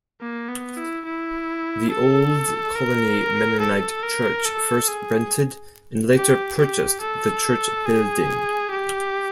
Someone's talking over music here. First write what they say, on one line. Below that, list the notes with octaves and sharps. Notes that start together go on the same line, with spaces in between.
The Old Colony Mennonite Church first rented, and later purchased the church building.
A#3
B3
E4
E4
A4
A#4
A4
A#4
A4
G#4
G4
G4
A4
G#4
G4